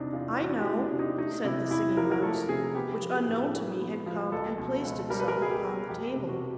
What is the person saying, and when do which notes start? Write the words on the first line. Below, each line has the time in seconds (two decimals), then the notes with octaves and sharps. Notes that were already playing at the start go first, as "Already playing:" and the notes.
"I know," said the Singing Mouse, which unknown to me had come and placed itself upon the table.
Already playing: E2 C3 D4 D#4
0.13 E2 F4
0.40 E3 F#4
0.60 G4
0.66 E2
0.79 D4
0.92 C3
0.99 D#4
1.18 A3 D#4
1.44 C3 E4
1.70 E2 E4
1.97 F3 A#4
2.12 A#4
2.23 A3 A4
2.49 C3 G#4
2.75 B3 G4
3.02 F3
3.15 G#4
3.27 A2
3.54 G#3
3.80 B3
4.06 F3
4.32 C#2 A4
4.58 B2
4.85 C#2
5.10 G3 A#4
5.20 B4
5.28 A#4
5.37 C#2 G#4
5.50 G4
5.63 B2
5.89 F2 G4
6.16 C3
6.29 F#4